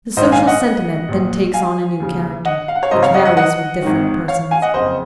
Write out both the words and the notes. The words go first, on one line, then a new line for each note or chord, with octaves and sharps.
The social sentiment then takes on a new character, which varies with different persons.
A#1 G#2 D#3 C5 D#5
F5 G#5
D#5 F#5
A#1 A#2
F5 G#5
D#2 C#3
D#5 F#5
F5
F#5
C#5 F5
G#1 F#2 C#3 C5 D#5
C#5 F5
D#5 F#5
D#5 F#5
D#5 F#5
G#1 G#2 D#3
C#5 F5
F5 G#5
D#5 F#5
F#1 F2 C#3 C5 D#5